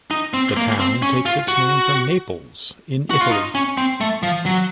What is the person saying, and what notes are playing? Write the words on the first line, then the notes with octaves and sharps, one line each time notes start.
The town takes its name from Naples, in Italy.
D#4
C4
A#3
C4
C#4
F4
F#4
F#4
F4
D#4
C#4
C4
A3
F3
F#3